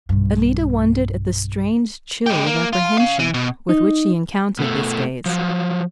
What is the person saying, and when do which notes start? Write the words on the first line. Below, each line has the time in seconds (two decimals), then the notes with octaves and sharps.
Alida wondered at the strange chill of apprehension with which she encountered this gaze.
0.09 B1 G2
2.26 G#3 G4
2.46 A#3
2.73 F4
2.98 C#4 F5
3.20 E3
3.34 B2
3.69 D#4
4.59 B2 A3
5.26 F3 F#3